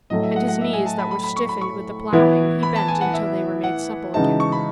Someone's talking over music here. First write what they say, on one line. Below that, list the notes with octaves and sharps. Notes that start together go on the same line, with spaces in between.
And his knees that were stiffened with the plowing he bent until they were made supple again.
A2 F#3 A3 D#5
E5
F#5
F#5
E5
G#5
A5
B5
B5
B5
C#6
B5
C#6
E3 B3 E4
B5
A5
G#5
F#5
E5
F#5
C#3 E3 G#3 D#4 F#4 A5
C#6
B5